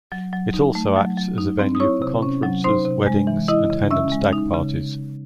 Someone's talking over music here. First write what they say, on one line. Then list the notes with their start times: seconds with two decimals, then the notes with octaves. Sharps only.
It also acts as a venue for conferences, weddings and Hen and Stag parties.
0.12 F#3
0.33 F#3
0.54 D#4
0.75 A3
0.96 F#3
1.17 F#3
1.38 D#4
1.59 C4
1.75 D#6
1.80 E4 C#5 C#6
2.02 C3
2.22 C#4
2.43 F#3
2.64 D#4 C5 C6
2.85 C3
3.07 G#3
3.27 E3
3.48 E4 D#5 D#6
3.70 C#3
3.91 C#4 E5 E6
4.12 G#3
4.33 D#4
4.54 C#3